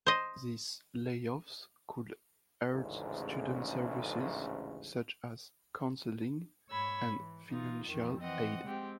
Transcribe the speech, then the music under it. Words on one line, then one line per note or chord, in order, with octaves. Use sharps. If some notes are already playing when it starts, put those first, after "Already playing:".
These layoffs could hurt student services such as counseling and financial aid.
C5 D#5
A1 D2 G#2 C#3
G#2 C#5 B5 E6 G#6
E3
E3 D#4 F4
F2 D#3 E3
E3 C4 D#5 F#5
G#3 C4 G4